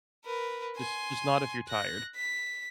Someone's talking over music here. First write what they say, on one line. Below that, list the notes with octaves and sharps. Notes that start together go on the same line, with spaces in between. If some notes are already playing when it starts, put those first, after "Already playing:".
Just just not if you're tired,
A#4 B4
G#5 C6
F#6 A#6
B6